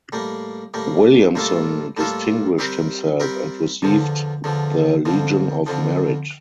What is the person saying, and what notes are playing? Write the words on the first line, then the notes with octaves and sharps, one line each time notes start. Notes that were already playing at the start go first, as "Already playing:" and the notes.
Williamson distinguished himself and received the Legion of Merit.
A2 G3 A#3
A2 G3 A#3
A2 G3 A#3 F4 A4
A2 G3 A#3 F4 A4
G3 C4 G4 A#4
G3 C4 G4 A#4
E2 D3 F3
E2 D3 F3
F2 D3 F3
F2 D3 F3